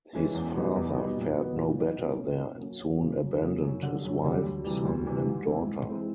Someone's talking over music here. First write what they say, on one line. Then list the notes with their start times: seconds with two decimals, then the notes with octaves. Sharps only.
His father fared no better there and soon abandoned his wife, son, and daughter.
0.13 E3 G#3 C#4 E4
0.34 E2
0.54 B2 G3 B3 D#4
0.76 E2
0.96 B2 G3 B3 D#4
1.17 A#2
1.37 F#3 B3 D#4 F#4
1.57 A#2
1.77 F#3 B3 D#4 F#4
1.98 B2
2.18 F#3 A#3 C#4
2.39 B2
2.59 F#3 A#3 C#4
2.80 F#2
3.01 C#3 F#3 A#3
3.21 F#2
3.42 C#3 F#3 A#3
3.62 F#2
3.83 D3 G3
4.04 F#2
4.24 D3 G3
4.44 D2
4.64 C3 E3 G3
4.85 D2
5.06 C3 E3 G3
5.26 G#2
5.47 E3 G#3 C4 E4
5.67 G#2
5.88 E3 G#3 C4 E4